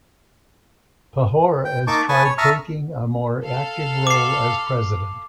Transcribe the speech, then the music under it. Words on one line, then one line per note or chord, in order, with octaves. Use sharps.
Pahor has tried taking a more active role as president.
G5
A#3 D#4 A5 C#6 D6
B4 G#5 A5 C#6 D#6
C#5
E5 A5 A#5 C#6 D#6 F6
A4 F5
D6 C7